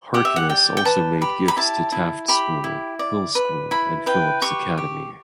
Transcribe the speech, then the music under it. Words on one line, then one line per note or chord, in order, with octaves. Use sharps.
Harkness also made gifts to Taft School, Hill School and Phillips Academy.
G4 F#5
E5
F#5
D5 G5
G5
B4 A5
G4 B5
B5
E4 A5
E4
G4 B5
E4
D5
B4
E4 B5
B4 G5
G4 C#6
G4